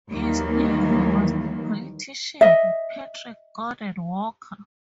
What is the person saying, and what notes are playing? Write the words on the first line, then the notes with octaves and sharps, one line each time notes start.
His nephew was the politician Patrick Gordon Walker.
D#2 D#3 E3 F#3 G3 A#3
D#5 E5